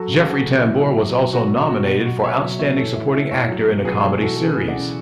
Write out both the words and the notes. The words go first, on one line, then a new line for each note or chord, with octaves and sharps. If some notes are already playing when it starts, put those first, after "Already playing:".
Jeffrey Tambor was also nominated for Outstanding Supporting Actor in a Comedy Series.
Already playing: F#3 F#4 A4
C#3
G#4
F#3 F#4 A4
C#3
F#3 E4
B2
F#3
B2
F#3 F#4
B2
F#3 F#4
B2
F#3 F#4
B2 C#5 E5
F#3 C#5 E5
B2 C#5 E5
E3 A4 C#5
A2 C#5 E5
E3 C#5 E5
A2 C#5 E5
F#3
B2
F#3 G#4 B4
B2
E3 F#4 A4
C#3 A4
G#4 B4
E3
D5 F#5
C#3